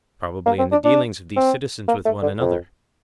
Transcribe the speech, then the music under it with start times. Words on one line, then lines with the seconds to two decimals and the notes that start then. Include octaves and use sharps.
Probably in the dealings of these citizens with one another.
0.46 A#3
0.59 C4
0.72 D4
0.84 D4
1.36 C4
1.88 A#3
2.05 A3
2.22 D3
2.40 F2